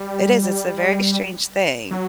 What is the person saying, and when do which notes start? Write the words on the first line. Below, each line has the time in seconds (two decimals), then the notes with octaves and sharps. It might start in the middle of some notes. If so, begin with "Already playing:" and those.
it is, it's a very strange thing.
Already playing: G3
1.91 F#3